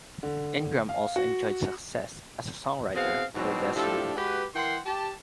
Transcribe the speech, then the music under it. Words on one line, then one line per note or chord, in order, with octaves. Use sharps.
Ingram also enjoyed success as a songwriter for Des'ree.
D3
F5
F#4
B2 E3 C4 G#4 F5 F#5
G#2 B2 E3 F#3 C4 D4
A2 F3 D4 G4 A4
G#3 F#4 G4 B4
E3 A#4 F#5 G5 C6
G4 A5